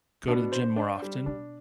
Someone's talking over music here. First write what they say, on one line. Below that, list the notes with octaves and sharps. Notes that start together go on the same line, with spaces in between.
go to the gym more often,
G#2
B2 D4
C5
D4
G3
B2 D4